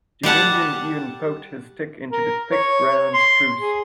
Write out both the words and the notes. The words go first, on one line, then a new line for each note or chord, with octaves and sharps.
The Indian even poked his stick into the thick ground spruce.
G3 G4 F#5 A5
A#4
C#5
C6
G#4